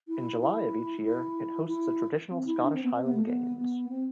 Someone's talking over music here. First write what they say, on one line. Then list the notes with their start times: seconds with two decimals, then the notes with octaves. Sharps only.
In July of each year it hosts a traditional Scottish Highland Games.
0.08 E4
0.40 E4
1.04 E4
1.67 E4
2.31 C4
2.46 E4
2.62 D4
2.73 C4
2.83 B3
2.94 C4
3.04 B3
3.15 A3
3.25 B3
3.57 B3
3.89 C4